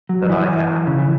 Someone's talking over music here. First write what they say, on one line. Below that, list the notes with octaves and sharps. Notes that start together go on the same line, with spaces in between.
that I have
F#3
E3
C#3
E3